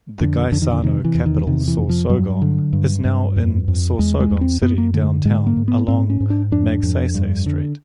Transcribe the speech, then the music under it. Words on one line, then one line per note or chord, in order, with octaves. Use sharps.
The Gaisano Capital Sorsogon is now open in Sorsogon City downtown along Magsaysay Street.
F2 D3
F2 D3
D#3
D3
C3 D#3
E3
E2
D#3
C3 D#3
E3
F2
F3
G2 F#3
D3
G2
G2
F2
F2
E2 G#3
G#3
E2
C4
F#2 B3
A#3
D3 A3
G#2 G#3
A#3
G#2
B3
G#2 C4
C#4
G#2
D4
F2 D4
F2
G2
D3